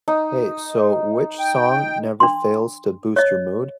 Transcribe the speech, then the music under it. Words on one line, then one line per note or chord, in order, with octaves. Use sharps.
Hey, so which song never fails to boost your mood,
D#4
G5
D4 C6
C#5 D#5